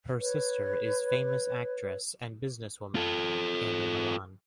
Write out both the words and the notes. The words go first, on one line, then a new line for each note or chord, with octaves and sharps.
Her sister is famous actress and business woman, Annie Malan.
B4 C#5
F4 A4